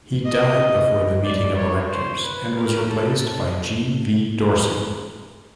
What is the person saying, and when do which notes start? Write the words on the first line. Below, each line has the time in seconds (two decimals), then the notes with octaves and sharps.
He died before the meeting of electors, and was replaced by G. V. Dorsey.
0.25 D#5
1.23 D5
1.57 C#5
1.89 C5
2.22 B4
2.55 A#4
2.88 A4